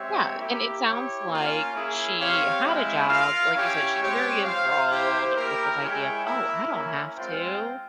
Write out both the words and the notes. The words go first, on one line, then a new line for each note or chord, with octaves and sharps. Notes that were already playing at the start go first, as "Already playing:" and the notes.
Yeah, and it sounds like she had a job. Like you said, she's very enthralled with this idea of, "Oh, I don't have to"
Already playing: G#3 C4 G4 C#5 E5
A#3 E4 G4
E4 G4 C#5
A#3 C#4 F4
A#3 C#4 E4 G#4 E5
C4 G4 C#5 F5
G#3 C4 E4
F4 A#4 F5
C#4 E4 G4 C#5
G#3 C4 G4 C#5
F4 C5 F5
E4 G4 C5
A#3 E4 G4 A#4
G#3 E4 G#4 C#5 G5
A#3 E4 A#4 E5
A#3 C#4 E4 A#4 E5
G#3 C4 F4 C5 G5